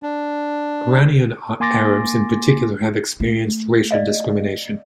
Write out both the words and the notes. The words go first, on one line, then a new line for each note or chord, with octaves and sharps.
Iranian Arabs in particular have experienced racial discrimination.
D4
A#3 G#5 C6 D6 A6 A#6
A3
D5 D#5 F5